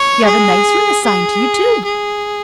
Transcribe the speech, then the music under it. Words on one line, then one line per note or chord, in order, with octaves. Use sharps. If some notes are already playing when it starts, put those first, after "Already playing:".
You have a nice room assigned to you, too.
Already playing: C#5
G#4
G#4
G#4